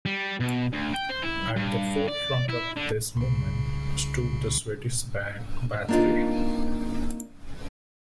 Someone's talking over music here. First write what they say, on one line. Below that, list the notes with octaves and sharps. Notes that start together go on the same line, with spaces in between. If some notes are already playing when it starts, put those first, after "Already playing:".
At the forefront of this movement stood the Swedish band Bathory.
G3
B2
D2
G5
C5
E4
G2
D5
E4
D3
C2 C#3
A#3 C4 D4 D#4 F4